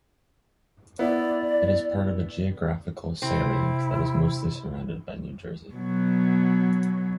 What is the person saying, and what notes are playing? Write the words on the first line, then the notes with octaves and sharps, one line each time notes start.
It is part of a geographical salient that is mostly surrounded by New Jersey.
B3 E4 D5
C3 C4 E4
B2 F#3